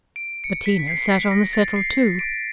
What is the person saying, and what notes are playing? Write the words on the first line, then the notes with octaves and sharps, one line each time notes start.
Bettina sat on the settle, too.
D7
C#7
B6
B6
C7
B6
A#6
A6
C7
D7